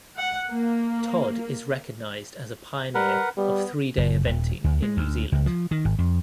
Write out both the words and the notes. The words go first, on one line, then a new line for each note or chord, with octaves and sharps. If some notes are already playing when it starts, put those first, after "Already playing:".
Todd is recognized as a pioneer of three-day eventing in New Zealand.
F#5
A#3
G3 A#4 B4 F#5
G3 B3
F#1
D#1
D2
G#3
D2
C#2
F3
D#3
G#1
F2